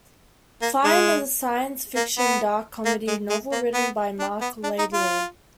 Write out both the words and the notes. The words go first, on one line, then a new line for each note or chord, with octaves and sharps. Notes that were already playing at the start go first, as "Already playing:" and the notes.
Fine, is a science fiction dark comedy novel written by Marc Laidlaw.
A#3
G#3
A#3
B3
A#3
G#3
G#3
A#3
B3
D4
B3
D4
D#4
F4